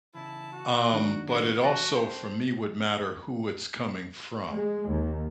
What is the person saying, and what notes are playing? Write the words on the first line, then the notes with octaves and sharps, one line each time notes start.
Um, but it also for me would matter who it's coming from.
C#3 E3 E4 A5
F#4
F#2 D#3 A#3 D4 D#4
B3 F#4 C6
E3 A3 F#4 A6
C4 A4 C5 G5
G#3
D#2